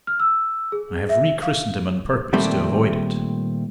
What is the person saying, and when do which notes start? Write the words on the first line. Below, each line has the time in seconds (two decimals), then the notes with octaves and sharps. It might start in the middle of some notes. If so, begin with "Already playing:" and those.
I have re-christened him on purpose to avoid it.
0.07 F6
0.20 E6
0.72 G#4
1.09 E5
1.42 F5
2.33 A#2 D#3 G3 A3 C4